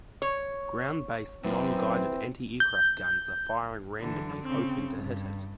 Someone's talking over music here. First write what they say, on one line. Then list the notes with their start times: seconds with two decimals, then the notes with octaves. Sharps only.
Ground based non-guided antiaircraft guns are firing randomly hoping to hit it.
0.22 C#5
1.44 F#2 E3 C4
2.60 G6
4.00 D3 E3
4.41 C#3 C4
4.95 G2